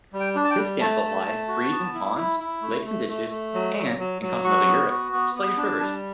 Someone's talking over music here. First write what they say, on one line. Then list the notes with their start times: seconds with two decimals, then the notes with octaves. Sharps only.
This damselfly breeds in ponds, lakes and ditches and, in continental Europe, sluggish rivers.
0.13 G3
0.20 G5
0.35 D4
0.44 A5
0.51 G5
0.58 G3
0.81 A3 A5
1.03 A3
1.27 A3
1.48 F#4
1.72 B3
1.94 E4
2.18 E4
2.40 E4
2.62 A3
2.85 A3
3.08 A3
3.30 A3
3.54 F#3
3.77 F#3
3.99 F#3
4.22 F#3
4.44 F#4 C#6
4.67 B3
4.89 F#4
5.13 B3
5.35 B3
5.57 D4
5.80 G3 A5